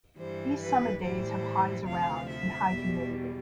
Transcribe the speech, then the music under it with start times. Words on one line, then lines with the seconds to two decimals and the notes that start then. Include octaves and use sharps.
These summer days have highs around and high humidity.
0.17 G2 E3 G3 C5
0.61 B4
1.02 A2 E3 G3 C5
1.86 D2 C3 F3 F5
2.28 E5
2.70 E2 B2 G3